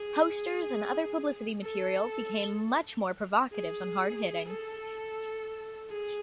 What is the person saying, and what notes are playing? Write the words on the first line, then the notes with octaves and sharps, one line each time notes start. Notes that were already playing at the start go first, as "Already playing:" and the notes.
Posters and other publicity material became much more provocative and hard-hitting.
Already playing: G#4
A4
G#4
A4
G#4